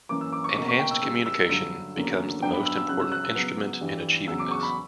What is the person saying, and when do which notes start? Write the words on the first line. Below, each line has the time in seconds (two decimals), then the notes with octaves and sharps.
Enhanced communication becomes the most important instrument in achieving this.
0.09 F#2 E3 A#3 C#4 D6
0.21 E6
0.32 D6
0.44 C#6
0.56 C#2 B2 A#3 C#6
0.69 C#6
0.79 G5
0.91 E6
1.02 C#3 G3 A#3 E6
1.26 E6
1.49 G2 D3 F#3 E6
1.96 E2 D3 F#3 A#3 C#4
2.42 G2 F#3 B3 D4 G5
2.53 B5
2.66 E6
2.77 E6
2.88 C#3 F#3 C#4 F#6
3.00 E6
3.12 F#6
3.24 E6
3.35 C#3 F#3 B3
3.81 G2 E3 G3
4.28 E2 C#3 F#3 E6
4.39 D6
4.51 C#6
4.63 B5